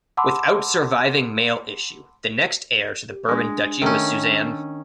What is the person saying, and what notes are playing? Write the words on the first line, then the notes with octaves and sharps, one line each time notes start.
Without surviving male issue, the next heir to the Bourbon Duchy was Suzanne.
F#5 A5 B5 C6 D6 E6
G4
G#3 D4
D#3 A3 C#4